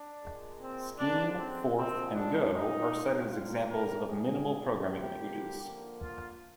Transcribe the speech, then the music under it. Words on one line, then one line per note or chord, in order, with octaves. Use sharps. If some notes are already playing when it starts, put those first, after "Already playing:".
Scheme, Forth, and Go are cited as examples of minimal programming languages.
Already playing: D4
A#2 G#3
C4
D3 G#3 D4
C4
D3 F3 G#3 C4
D4
D3 G3 A#3 D#4
D3 G3 A#3 F4
A#4
C3 D#3 G3 G#4
D3 F3 A#3 G4
D3 F3 A#3
F4